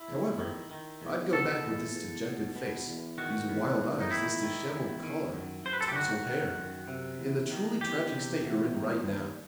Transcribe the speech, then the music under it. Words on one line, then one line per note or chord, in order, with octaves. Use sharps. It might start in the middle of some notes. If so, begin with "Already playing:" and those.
However, I'd go back with this dejected face, these wild eyes, this disheveled collar, tousled hair--in the truly tragic state you're in right now.
Already playing: E4
E2
D#3
D#3
E2
B2 A4
E2
E2
B2
B2
E2
D#3 F#4
E2
E2
D#4
D#3 E4
D#3
E2
D#3
F#2
F#2 C5
B4
A4
G4
D#3 F#4
D#3
F#2
C3
E2
D#3
E2 G4
C3
E2
D#3
D#2